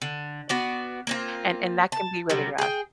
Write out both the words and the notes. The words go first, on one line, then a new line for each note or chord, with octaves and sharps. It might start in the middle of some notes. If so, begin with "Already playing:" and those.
and and that can be really rough.
D3
B3 F#4 D5
A#3 C4 F4
A5
C3 F#3 G3
G#4 G5